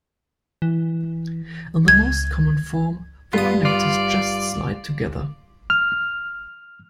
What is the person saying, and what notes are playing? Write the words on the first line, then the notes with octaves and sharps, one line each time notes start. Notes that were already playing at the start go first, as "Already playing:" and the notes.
In their most common form the connectors just slide together.
E3
C#2 G#6
G2 B3 F4 D#6
F4 D5
F6